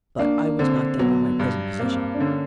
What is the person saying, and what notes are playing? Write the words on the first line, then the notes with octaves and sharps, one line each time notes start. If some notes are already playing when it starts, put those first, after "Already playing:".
But I was not then in my present position.
A#3 D4
D3 C4
F#3 B3
G2
A#3 C4
D4
D3 C#4